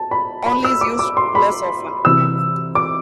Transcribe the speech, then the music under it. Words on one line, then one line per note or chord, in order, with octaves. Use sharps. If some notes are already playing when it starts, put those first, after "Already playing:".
Only is used less often.
Already playing: A5
B5
B5
E6
D6
D6
C6
B5
C3 E3 E6
D6